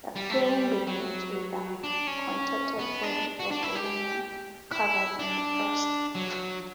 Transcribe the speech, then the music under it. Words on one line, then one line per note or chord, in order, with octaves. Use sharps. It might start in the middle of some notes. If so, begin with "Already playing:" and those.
The film begins with the contorted body of the woman, covered in frost.
G3
A3
G3
F#3
D4
C#4
B3
D4
F#4
D4
E4
G4
E4
D4
F#3